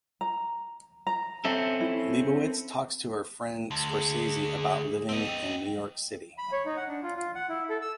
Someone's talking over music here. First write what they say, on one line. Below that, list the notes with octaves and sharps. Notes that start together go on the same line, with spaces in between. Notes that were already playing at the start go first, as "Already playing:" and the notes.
Lebowitz talks to her friend Scorsese about living in New York City.
A#5
A#5
C4 C#4 A4 E5
E4
D2 A5
G#4
B3 C4 D#5
G5
B5
C#5
D#4
F#5
D4
F4
F4
F#5
E4
A4
E6